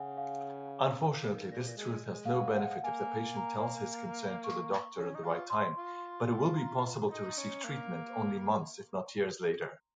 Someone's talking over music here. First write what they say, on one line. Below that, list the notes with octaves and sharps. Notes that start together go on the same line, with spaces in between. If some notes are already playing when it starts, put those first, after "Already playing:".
Unfortunately, this truth has no benefit if the patient tells his concern to the doctor at the right time, but it will be possible to receive treatment only months, if not years later.
Already playing: C#3 F#5 G#5
F5
D#3
A#2
C3
A#2
G#3
G#3
F5
F#5
F#5
A#3 G#5
A#5
C#6
C#4
D#4
F4
C6
F4
A#5
D#4
C#4
A#3